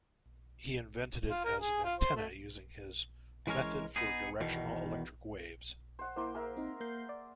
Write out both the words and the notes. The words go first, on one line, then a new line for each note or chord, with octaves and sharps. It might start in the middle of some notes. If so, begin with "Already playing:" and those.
He invented it as an antenna using his "method for directional electric waves".
F4
A#4
G#4
F4
C5
A3
E3 G#3 C#4 A#4 C#5
B3 D#4 G#4
E2 B2 D#3
C5 F#5
A#3 E4 C5 C6
G#4 A#4 E5
C4 D#4
A#3 G6 C7
D5